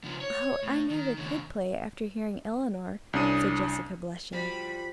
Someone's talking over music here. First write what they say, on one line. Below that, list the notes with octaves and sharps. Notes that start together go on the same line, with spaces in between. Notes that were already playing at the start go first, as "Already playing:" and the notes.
"Oh, I never could play, after hearing Eleanor," said Jessica blushing.
C#3 F3
C#5
A2
D#3
D#2 C#3
C2 C#4 D4 D#6 D#7
F3 G3 F4 F#4 B5